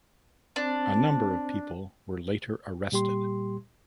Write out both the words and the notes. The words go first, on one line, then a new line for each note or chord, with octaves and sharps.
A number of people were later arrested.
C4 D4 C5
A#2 G3 G4 C6